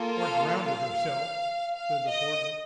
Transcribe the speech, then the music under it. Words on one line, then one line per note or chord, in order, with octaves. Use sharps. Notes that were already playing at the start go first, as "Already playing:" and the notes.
"Or drownded herself," said the porter.
Already playing: A#3 F4 A4
F5
F5
F5
D#5